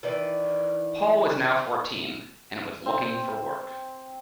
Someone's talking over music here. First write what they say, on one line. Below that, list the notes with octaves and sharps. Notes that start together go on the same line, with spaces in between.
Paul was now fourteen, and was looking for work.
D#3 E3 D5
C4